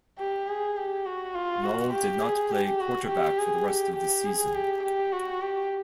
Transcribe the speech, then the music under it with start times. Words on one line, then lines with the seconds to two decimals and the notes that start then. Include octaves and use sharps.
Nall did not play quarterback for the rest of the season.
0.19 G4
0.48 G#4
0.77 G4
1.06 F#4
1.35 F4
1.64 F#4
1.93 G4
2.22 G#4
2.51 G4
2.80 F#4
3.09 G4
3.38 G#4
3.67 G4
3.96 G4
4.26 G#4
4.55 G4
4.83 G4
5.12 F#4
5.41 G4